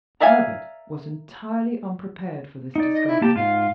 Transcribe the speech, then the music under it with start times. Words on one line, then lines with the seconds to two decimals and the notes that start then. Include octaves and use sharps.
Herbert was entirely unprepared for this discovery.
0.20 A#4 D5 E5 F5 G#5
2.76 D#4 D5
2.94 D#5
3.07 E4
3.22 A#3 G4 A5
3.36 G#2 F4 F5